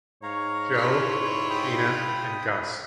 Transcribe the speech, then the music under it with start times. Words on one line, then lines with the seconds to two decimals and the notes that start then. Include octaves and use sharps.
Joe, Gina and Gus.
0.23 G#2 C#5 F5 A#5
0.74 E4 F4
1.50 G5 B5 D#6